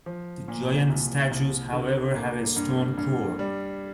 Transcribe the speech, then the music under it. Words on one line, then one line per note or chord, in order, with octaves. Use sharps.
The giant statues however have a stone core.
F3
A#2
C2
C2
D3
A#3
G2
G2
G3